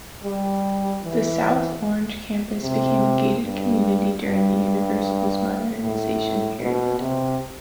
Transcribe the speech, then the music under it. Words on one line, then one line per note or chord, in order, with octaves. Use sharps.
The South Orange campus became a gated community during the University's Modernization Period.
G3
E3
C3
G2
G2
A2
B2
C3